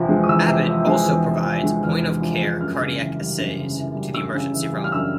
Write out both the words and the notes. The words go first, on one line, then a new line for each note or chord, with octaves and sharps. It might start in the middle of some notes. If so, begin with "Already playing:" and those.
Abbott also provides point-of-care cardiac assays to the emergency room.
Already playing: E2 C3 F3
G#3
D#6
E2 E6
C3
F3
G#3
E2
C3
F3
G#3
E2 F6
C3
F3
G#3
F#2 F6
C#3
E3
G3
F#2
C#3
E3
G3
F#2 E6
C#3
E3
G3
F6
F#2 E6